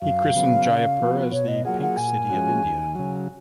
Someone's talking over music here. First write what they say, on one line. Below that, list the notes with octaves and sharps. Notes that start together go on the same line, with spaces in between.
He christened Jaipur as 'the Pink City of India'.
F#2 F5
C#3 F#3 B3
C#3
F3 B3 F#4
B2 C#5
D#5
F#3 A#3 F4 G#4 F#5
F#5
A#2 G#5
F3 G#3 C#4 F#4
D#2
C#3 F#3